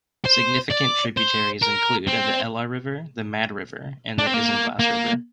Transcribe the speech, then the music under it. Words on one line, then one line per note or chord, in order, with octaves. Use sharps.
Significant tributaries include the Ela River, the Mad River, and the Isinglass River.
C5
D5
C5
A#4
C4
D4
C4
A#3
A#3